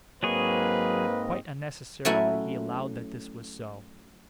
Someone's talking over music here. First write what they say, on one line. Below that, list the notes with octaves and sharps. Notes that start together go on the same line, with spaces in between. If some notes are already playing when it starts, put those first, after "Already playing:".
Quite unnecessarily he allowed that this was so.
G#2 F#3 A#3 C4 G#4 B4 D#5 C#6
F#3 A3 C#4 E4 F#4